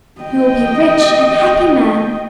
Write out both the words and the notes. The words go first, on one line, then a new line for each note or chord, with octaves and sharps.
You will be a rich and happy man!
D#5 G5